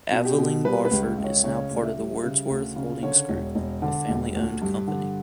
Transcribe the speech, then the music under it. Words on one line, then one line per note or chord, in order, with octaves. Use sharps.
Aveling-Barford is now part of the Wordsworth Holdings Group, a family-owned company.
B2
G4
B2
G3 B4
B4
C#2
C#2
C#5
C#3 C#5
D2
D5
E5
G3
C#3
D2
C#3
D3 C#5
E1
E1
D3
E1
D2
G2
D3